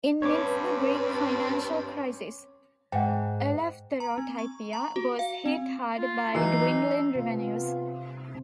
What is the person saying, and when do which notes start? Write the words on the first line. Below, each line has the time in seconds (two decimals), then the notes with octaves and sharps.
Inmidst the Greek financial crisis, "Eleftherotypia" was hit hard by dwindling revenues.
0.22 G2 C4 C#4 B4 C#5 D6
2.92 G#2 F#5 G5
4.00 A#5
4.18 C4
4.38 C#6
4.73 A#5
4.96 F#4
5.19 F5
5.46 C4
5.98 F4
6.35 E3 F#3 D#4 E6 C7
7.15 C3 B3 C4 F4